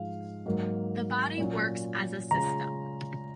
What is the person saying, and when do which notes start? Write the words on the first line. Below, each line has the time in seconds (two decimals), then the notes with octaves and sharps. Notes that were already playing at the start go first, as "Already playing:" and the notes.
The body works as a system.
Already playing: G#2 F3 G#3 F5
0.46 G#2 F#3 A#3
1.38 A#2 F#3 C#4 F4
2.31 C#3 G#3 C#4 F4 A#5